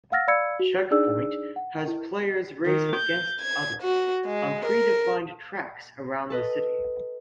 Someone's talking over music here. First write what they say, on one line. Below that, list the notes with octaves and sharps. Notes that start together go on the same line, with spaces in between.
Checkpoint has players race against others on pre-defined tracks around the city.
F5 F#5 E6 F6 A6 A#6
D5 F5 B5 E6 G#6 C#7
F#4
D4 D#4 G#4 D5 E6
F#5
E4
D#3
G6
G#6
F#4
G#3
A#4
A4 B4 D#5